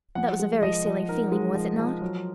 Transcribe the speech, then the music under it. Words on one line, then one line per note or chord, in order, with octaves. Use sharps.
That was a very silly feeling, was it not?
F3 F#5
G#3
F3 D#5
F3
D#4 A#4
G#3
F3
F3
F#3